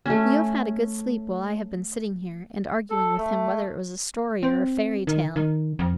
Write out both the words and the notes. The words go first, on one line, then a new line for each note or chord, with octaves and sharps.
"You have had a good sleep while I have been sitting here, and arguing with him whether it was a story or a fairy tale."
A3 C#4
A4
A3
C4
D#3
D#3
F2